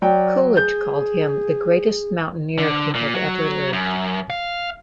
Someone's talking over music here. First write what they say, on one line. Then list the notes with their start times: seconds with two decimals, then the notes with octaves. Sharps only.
Coolidge called him "the greatest mountaineer who had ever lived".
0.02 F#3 D5 G5
0.57 G#4 G6
2.58 D3
2.95 A#2
3.14 F#3
3.73 F#2
4.30 F5